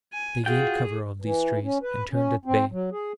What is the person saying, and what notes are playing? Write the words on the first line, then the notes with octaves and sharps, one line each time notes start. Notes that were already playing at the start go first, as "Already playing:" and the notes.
They gained cover of these trees, and turned at bay.
G#5
F4 F#4 G#4 G5
E3
C#4
B4
C#4
C4
F#3
G#4